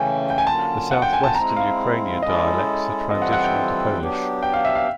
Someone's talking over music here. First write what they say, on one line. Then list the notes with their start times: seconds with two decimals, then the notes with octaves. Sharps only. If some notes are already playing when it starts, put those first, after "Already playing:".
The southwestern Ukrainian dialects are transitional to Polish.
Already playing: C#3 E3 A3 C#4 G5 G#5
0.30 G5
0.38 G#5
0.46 D3 F#3 A#3 C#4 F4 A5
0.91 F#5
1.02 G5
1.13 G#5
1.23 A5
1.35 G#3 C4 E4 A#5
1.56 F5
2.23 G#3 C#4 E4 A4 D#5
3.10 E3 G3 C4 F4 A4 D#5
3.22 F#5
3.33 F#5
3.44 G5
3.99 F#3 B3 D4 G4
4.42 G5
4.53 F5
4.65 E5
4.75 F5